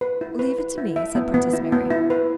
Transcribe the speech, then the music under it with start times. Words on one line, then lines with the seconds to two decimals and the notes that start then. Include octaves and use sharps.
"Leave it to me," said Princess Mary.
0.01 B4
0.21 E4
0.39 B4
0.58 B4
0.78 E4
0.96 E5
1.15 B3
1.34 B3
1.53 E4
1.72 B3
1.90 E4
2.10 B4